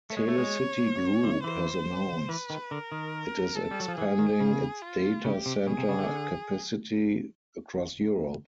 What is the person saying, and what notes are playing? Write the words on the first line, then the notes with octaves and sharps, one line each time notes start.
TelecityGroup has announced it is expanding its data centre capacity across Europe.
A3
G#3 C#5
A3
G#3
D3
E3 C5
E3 B4
D#3
D3 A#4
D#3
A4
G3
F#3
F3
E3 G#4
D#3
C#3
F4
C#3 G4
C3
B2 G#4
C3
C#3
D3